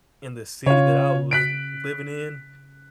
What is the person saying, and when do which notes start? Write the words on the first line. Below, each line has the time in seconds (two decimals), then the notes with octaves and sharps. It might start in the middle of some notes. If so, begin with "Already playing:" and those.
in the city that I was l living in,
0.66 C#3 F4 C#5
1.31 F#6 B6 D7